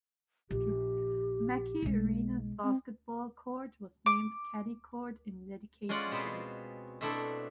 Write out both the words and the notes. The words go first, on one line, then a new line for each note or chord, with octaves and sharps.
Mackey Arena's basketball court was named "Keady Court" in dedication to him.
A#1 G4
B1 G#3
C4
D6
G#3 C#4 F4 D5 F#5
B2 C4 G#4 B4
B2 A3 C4 D4 E4 A4